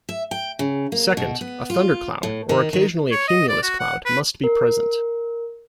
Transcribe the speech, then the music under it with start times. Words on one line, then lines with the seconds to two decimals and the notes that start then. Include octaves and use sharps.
Second, a thundercloud, or occasionally a cumulus cloud, must be present.
0.09 E5
0.31 G5
0.59 C#3
0.92 A#3
1.17 B2
1.41 B3
1.70 F4
2.23 A2
2.49 D#3
2.73 D#3
3.11 C#5
3.28 D#5
3.49 D5
3.63 F#4
3.80 F#5
4.05 B4
4.44 A#4